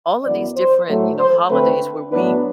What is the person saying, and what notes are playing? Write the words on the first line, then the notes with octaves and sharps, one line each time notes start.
all of these different, you know, holidays where we
F#2 E3 B3 D5
C5
A2 F#3 A3
C5
D2 D3 A3 C4 B4
A2 F#3 B3 D4 B4